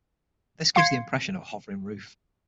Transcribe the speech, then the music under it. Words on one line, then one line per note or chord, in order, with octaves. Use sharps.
This gives the impression of a hovering roof.
F5 C6 G#6 C7 C#7